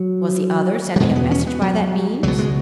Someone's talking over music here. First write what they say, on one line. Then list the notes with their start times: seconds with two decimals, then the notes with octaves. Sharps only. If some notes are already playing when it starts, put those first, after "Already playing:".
Was the other sending a message by that means?
Already playing: F#3
0.96 F#3
1.00 E2 B2 G#3
1.15 B3
1.31 C#4
1.47 B3
1.62 F#3
2.23 C#2 B2 F#3
2.39 G#3